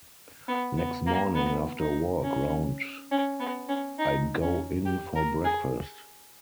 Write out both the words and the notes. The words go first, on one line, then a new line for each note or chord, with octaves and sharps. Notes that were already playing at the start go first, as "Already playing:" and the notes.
Next morning after a walk round I go in for breakfast.
B3
B3
A#3
B3
D#4
C#4
C#4
B3
C#4
D#4
C#4
G4
A#4
G#4